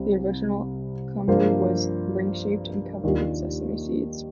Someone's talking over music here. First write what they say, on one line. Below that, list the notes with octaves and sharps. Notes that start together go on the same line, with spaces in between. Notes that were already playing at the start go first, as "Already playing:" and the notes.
The original kumru was ring-shaped and covered with sesame seeds.
Already playing: C2 C3 G3
G2 F3 A#3 F4 C5
D#2 D#3 A#3 D4 F4